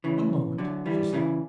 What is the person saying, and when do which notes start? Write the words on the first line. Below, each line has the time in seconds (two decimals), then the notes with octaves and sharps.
"One moment," she said.
0.04 C#3 E3
0.58 D3 F#3
0.86 E3 G3
1.13 C#3 E3